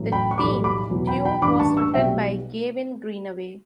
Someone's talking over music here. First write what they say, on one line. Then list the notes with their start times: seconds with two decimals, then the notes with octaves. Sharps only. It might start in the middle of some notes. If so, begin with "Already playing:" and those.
The theme tune was written by Gavin Greenaway.
Already playing: A1 A2 F#3
0.12 G5 B5
0.31 C#6
0.38 B1 A2 E3 G3 B5 D6
0.64 B5 D6
0.90 E2 B2 F#3
1.07 G5 B5
1.25 G5 B5
1.42 A1 G2 E3 B5 D6
1.60 A5 C#6
1.77 C#6 E6
1.94 B1 B2 G3 E5 G5